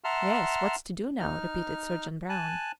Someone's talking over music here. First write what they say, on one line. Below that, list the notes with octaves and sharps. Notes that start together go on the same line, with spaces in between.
"Yes, what's to do now?" repeated Sergeant Brown.
E5 F#5 A5 A#5 C6 F6
D#4 F6
G#5 A5 F#6